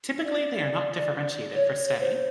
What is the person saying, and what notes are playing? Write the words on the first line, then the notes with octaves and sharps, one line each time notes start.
Typically they are not differentiated for study.
D5
C#5
C5